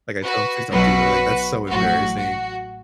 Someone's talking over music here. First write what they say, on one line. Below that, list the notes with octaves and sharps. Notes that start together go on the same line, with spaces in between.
Like, I tell him, "Please don't do that. Like, that's so embarrassing."
F#4 B4
B1 B2 F#3 F#4 B4
A1 A2 F#3 F#4
F#4